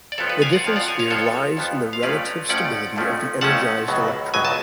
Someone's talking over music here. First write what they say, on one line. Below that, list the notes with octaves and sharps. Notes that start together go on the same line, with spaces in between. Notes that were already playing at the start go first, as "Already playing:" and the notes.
The difference here lies in the relative stability of the energized electron.
D5
F2 F3 B3 A4 C#5
B4 D5
F5 G#5
D5 F#5
F2 F3 B3 C#5 F5
D5 F#5
F5 G#5
C#5 F5
F2 F3 B3 A4 C#5
F2 F3 B3
F5
F2 F3 A3 C#4 B4 D5
F2 F3 A3 C#4 D5 F#5
F2 F3 A3 C#4
F2 F3 A3 C#4 F#5 A5
C#2 B2 F#3
C#2 B2 F#3 G#5
A5